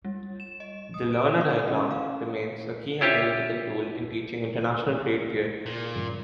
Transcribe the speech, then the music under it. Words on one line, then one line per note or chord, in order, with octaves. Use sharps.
The "Lerner Diagram" remains a key analytical tool in teaching international trade theory.
G3
E7
D#5
D#6
D7
D#5
C#4
F5
E4 F4 G4 C#5 E5
A#2
G2 C#3 E3